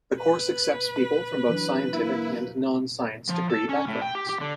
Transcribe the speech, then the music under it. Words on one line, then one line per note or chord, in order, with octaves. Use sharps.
The course accepts people from both scientific and non science degree backgrounds.
B4
E3 F#3 D4
A#3 E4
F3
A4
C#4
A2
G5
G4
G4
D3